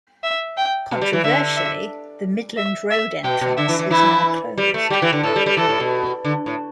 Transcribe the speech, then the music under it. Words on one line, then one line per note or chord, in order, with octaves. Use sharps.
Controversially, the Midland Road entrance is now closed.
E5
G5
B2
G3
E3
D3 E5
E5
E5
E5
B2 G5
B2
D3 E5
E3
E3
E3 E4
G3
A3
G3 G4
E3
D3
A2 A4
G3
G3
E3 A4
A2
B2
D3
A2